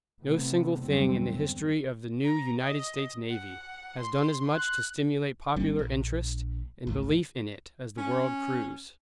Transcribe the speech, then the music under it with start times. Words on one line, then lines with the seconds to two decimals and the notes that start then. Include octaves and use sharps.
No single thing in the history of the new United States Navy has done as much to stimulate popular interest and belief in it as the world cruise.
0.22 A2 C3 A3 B3
0.82 E2 G2 D3 F#3 G3 C4
2.24 A#5
2.61 D#5
3.29 F#5
3.98 C6
4.56 F#6
5.56 G1 G3 A#3 C#4
5.79 A#1
6.87 G#1 C#2 A2
7.98 C#4